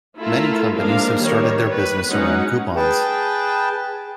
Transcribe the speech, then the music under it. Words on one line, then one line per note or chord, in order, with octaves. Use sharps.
Many companies have started their business around coupons.
A3 E4 F4 A4 A#4
F3 G#3 A#3 D4 A#4 F5
D#3 G3 A#4 C#5
B4
F#3 G#3 C#4 D#4 F#5
G#4 B4 G5 A5